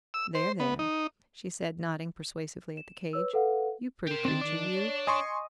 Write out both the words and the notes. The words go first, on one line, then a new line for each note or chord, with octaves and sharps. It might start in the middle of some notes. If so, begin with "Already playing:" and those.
There, there," she said, nodding persuasively at the cage, "you pretty creature you!
E6
C5
B3
D#4
E7
B4 C#5 E6
A4 B4 F5 F#5
G4 A#4 C5
D#3 C4 D4 A5
D#3 D5
C#5
D#5 G#5 C6 C#6